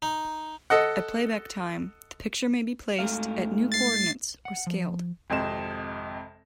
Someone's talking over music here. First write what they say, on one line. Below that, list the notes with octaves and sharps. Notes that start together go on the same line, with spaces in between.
At playback time the picture may be placed at new coordinates or scaled.
D#4
A4 D#5 F#5
G#2 A3 F5
A6 C7
F#5
F3
G#1 F2 C3 D#5 C6 E7